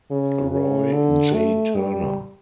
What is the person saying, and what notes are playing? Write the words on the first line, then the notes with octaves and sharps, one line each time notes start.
Roy J. Turner.
C#3
C#3
D3
A3
G3